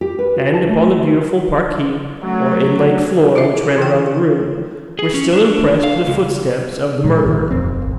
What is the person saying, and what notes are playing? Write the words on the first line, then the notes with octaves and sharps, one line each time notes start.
And upon the beautiful parquet, or inlaid floor which ran round the room, were still impressed the footsteps of the murderer.
G4
B4
F#4
A5
A3
F#3 A3
E4 F4 C5 D#5 E5
E3 G5
G#4
C#4
D4
F5
C#2
A#2 C#3 F3 G#3
B1 G#2 D#3
D#1 F2 C4
G#1